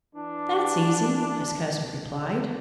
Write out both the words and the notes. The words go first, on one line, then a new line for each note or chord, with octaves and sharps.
"That's easy," his cousin replied.
E3 D4